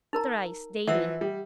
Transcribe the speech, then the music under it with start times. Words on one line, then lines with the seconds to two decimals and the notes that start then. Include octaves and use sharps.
Thrice daily.
0.13 D#4 A#4 A#5
0.88 E3 F3 E5 F#5 E6
1.21 G3